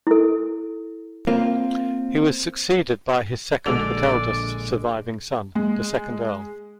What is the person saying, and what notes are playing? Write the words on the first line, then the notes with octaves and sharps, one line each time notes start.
He was succeeded by his second but eldest surviving son, the second Earl.
E4 A4
A#3 C4 F4
A#1 D3 G#3 D5 E6 F7
G#3